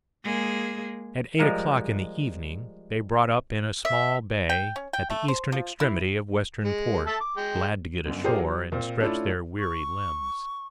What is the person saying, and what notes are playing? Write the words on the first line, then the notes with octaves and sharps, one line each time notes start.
At eight o'clock in the evening they brought up in a small bay at the eastern extremity of Western Port, glad to get ashore and stretch their weary limbs.
G#3 A#3 G#4
F3 G3 G#3 A#4 F5
E5
G5
C#4
G5
A3
C5
F3
E4
G#3
A4 E5 A5
D6
G#3 G5
G1 F#2
D4 F4 G4 G#4 A#4 C5
F#3
A#2 C4
A3 C#4 D4 E4 F4
C#6